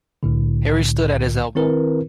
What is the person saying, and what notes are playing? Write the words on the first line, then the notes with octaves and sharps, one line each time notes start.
Harry stood at his elbow.
C2 A2 D3
D#3 C4 E4 A#4 B4